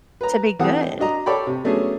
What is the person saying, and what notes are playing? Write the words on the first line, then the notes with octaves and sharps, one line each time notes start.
to be good,
B4 A#5
E3 C4 G4 A4 F#5 D#6
D4 F#4 D#5 A#5
A4 C#5 D5 G5 B5
C3
F#3 A3 B3 C#4 D4 G#4